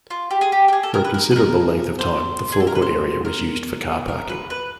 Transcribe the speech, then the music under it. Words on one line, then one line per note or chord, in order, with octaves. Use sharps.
For a considerable length of time the forecourt area was used for car parking.
F4
G4
G#4
G4
G4
G#4
A4
A#4
B4
A#4
B4
A#4
C5
G#4
A4
A#4
B4
C5
A#4
A#4
B4
B4